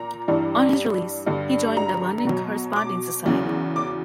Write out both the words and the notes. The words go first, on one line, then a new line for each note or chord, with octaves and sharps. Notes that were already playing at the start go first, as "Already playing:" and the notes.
On his release he joined the London Corresponding Society.
Already playing: A#2 A#5
G2 E3 G3
G2 D3 G3
A#5
B2 F#3
D6
E2 C#3 F#3
D6